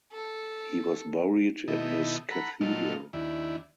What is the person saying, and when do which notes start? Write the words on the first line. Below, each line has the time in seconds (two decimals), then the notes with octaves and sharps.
He was buried in his cathedral.
0.12 A4
1.68 B2 D#3 E4 A4 D#5
2.31 A4 F#5 A#5 B5
2.61 A#2 F#3 F4 A4 D#5 F6
3.13 D#2 D4 E4